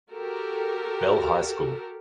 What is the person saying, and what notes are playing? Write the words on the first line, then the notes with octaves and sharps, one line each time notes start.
Bell High School.
F#4 G4 A4 A#4